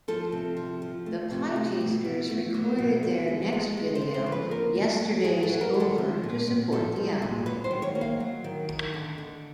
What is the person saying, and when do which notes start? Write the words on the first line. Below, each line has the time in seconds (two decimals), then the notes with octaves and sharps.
The Pietasters recorded their next video, Yesterday's Over, to support the album.
0.08 F3 A4
0.32 C3
0.57 F3
0.82 F3
1.06 A3
1.31 C3
1.56 A3
1.81 B2
2.05 B2
2.30 A3
2.54 F#3
2.78 B2
3.03 D3
3.28 G#3
3.53 G#3
3.77 G#3
3.95 C5
4.02 D3
4.14 C5
4.26 F3
4.32 B4
4.51 A#3 A#4
4.75 A#3
5.00 F#3
5.24 F#3 G#4
5.43 A4
5.49 F#3
5.61 A#4
5.74 D#3
5.80 A4
5.98 F3
6.23 A#2
6.47 A#2
6.72 F3 A4
6.96 G#3
7.22 A#2
7.46 F#3 B4
7.64 C5
7.71 D#3
7.82 C#5
7.95 A#3
8.01 F5
8.20 F#3
8.44 D#3
8.69 D#3
8.94 D3
9.18 D3